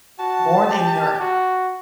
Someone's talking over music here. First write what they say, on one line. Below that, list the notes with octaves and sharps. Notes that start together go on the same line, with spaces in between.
Born in Nr.
F#4 A5
G4
F#4